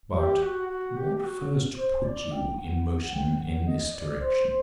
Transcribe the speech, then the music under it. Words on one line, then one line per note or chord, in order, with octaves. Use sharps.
"But what first put you in motion in this direction?"
G4
F#4
F#4
G4
G4
F#4
C5
D5
G5
F#5
F#5
G5
F#5
D#5
D5
C5
C5